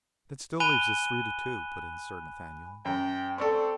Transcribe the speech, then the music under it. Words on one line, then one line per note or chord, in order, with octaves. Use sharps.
"That still leaves us three to two!" put in Sir Nathaniel.
G#5 B5 F#6 D#7 G7
F#2 G5
C4 A4 D5 C#6